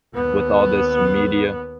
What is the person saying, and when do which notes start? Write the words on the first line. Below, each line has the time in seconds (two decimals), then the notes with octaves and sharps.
with all this media.
0.14 D#2 B3